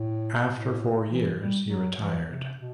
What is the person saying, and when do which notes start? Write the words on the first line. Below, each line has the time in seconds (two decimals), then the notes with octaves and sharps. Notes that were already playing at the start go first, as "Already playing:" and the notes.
After four years, he retired.
Already playing: A2
0.50 A2
1.09 E3
1.39 G3
1.68 F#3
1.98 E3
2.28 C3
2.58 B2